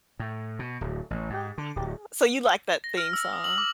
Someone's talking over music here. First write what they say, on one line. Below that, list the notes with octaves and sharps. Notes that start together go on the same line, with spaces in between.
Uh-huh. So, you like that theme song?
A2
B2
D1
A1
G#2
D3
D1
A#6
F6
E6
D#6
F#7
D6